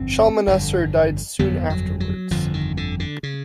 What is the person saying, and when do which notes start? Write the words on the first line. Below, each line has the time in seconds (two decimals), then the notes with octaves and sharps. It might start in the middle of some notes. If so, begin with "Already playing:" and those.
Shalmaneser died soon afterwards.
Already playing: G1 F2 D3 C4
0.47 G1 F2 D3
1.39 G1 F2 D3 B3
1.70 F#3
2.00 F#3
2.30 G1 F2 D3 F3
2.54 D#3
2.77 D3
3.00 D3
3.23 C#3